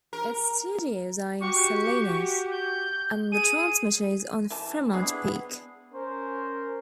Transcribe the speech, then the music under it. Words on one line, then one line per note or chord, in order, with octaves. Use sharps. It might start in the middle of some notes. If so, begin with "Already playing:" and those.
Its studios are in Salinas, and the transmitter is on Fremont Peak.
A#4
F#4 G4 C#6
G6
G#4 D#7
E3 A5
G#3 B3 C4 D4 E4 G#4 D#6 C7
C#4 A#4 C5